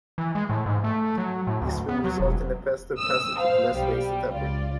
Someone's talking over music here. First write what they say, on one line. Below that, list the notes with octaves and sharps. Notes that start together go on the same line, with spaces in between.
This will result in a faster passage with less wasted effort.
E3
G#3
A2
G#2
A3
F#3
A2
D2
B3
F#3
E1
D#6 E6
C5 F5
B1 G3
C#2 F4 D5